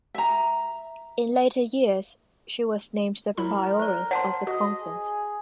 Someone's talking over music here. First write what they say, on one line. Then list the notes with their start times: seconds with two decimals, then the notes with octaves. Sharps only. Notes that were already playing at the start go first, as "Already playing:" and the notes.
In later years she was named the prioress of the convent.
0.15 E5 A#5
3.37 F#3 E4 A#4 B5
3.79 C5 D5
4.11 C5 F#5 A5 C6
4.47 F#4 D#5
4.81 G#4